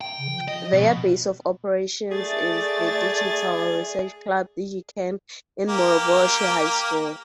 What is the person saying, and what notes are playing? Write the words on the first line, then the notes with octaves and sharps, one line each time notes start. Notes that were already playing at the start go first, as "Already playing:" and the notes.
Their base of operations is the Digital Research Club "Digiken" in Moroboshi High School.
G5
C#3
F3
D#5
B2
A3 G#4 D5 A6
A#3 G4